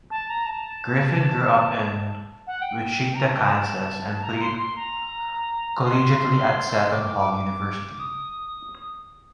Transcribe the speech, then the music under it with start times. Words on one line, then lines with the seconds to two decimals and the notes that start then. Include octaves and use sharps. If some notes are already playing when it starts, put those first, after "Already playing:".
Griffin grew up in Wichita, Kansas and played collegiately at Seton Hall University.
0.11 A5
0.28 A#5
0.46 A5
2.47 F#5
2.62 G5
3.15 A#5
3.25 A5
3.34 G5
3.44 A5
4.23 A#5
4.41 C6
4.58 C6
4.76 A#5
5.84 C6
6.92 D6
7.99 D#6